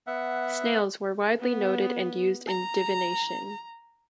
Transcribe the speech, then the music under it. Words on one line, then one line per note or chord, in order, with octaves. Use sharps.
Snails were widely noted and used in divination.
B3 E5 F#5
B3
A#5